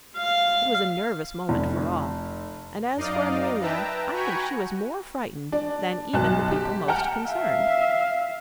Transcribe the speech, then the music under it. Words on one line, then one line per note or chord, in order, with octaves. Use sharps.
It was a nervous moment for all; and as for Amelia, I think she was more frightened than even the people most concerned.
F5
F1
F#2 D#4 D5 D#5 F5
B4 E5 G5 A5 A#5
F#4 G5 G#5 A#5 B5 C#6
D4
B1 F#2 A5 F#6
G4
F#5 G5 A5 A#5 F6
E5 F5